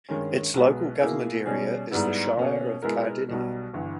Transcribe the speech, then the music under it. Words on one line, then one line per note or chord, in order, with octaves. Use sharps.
Its local government area is the Shire of Cardinia.
G2 D#3 G#3 C#4
B1 B2 G#3 B3
B2 A#3 E4 G#4
B2 G3 C#4 G#4
G#2 G3 B3 E4
B2 A#3 C#4
B2 G#3 B3 E4 A#4
B1 B2 G3
G1 G2 E3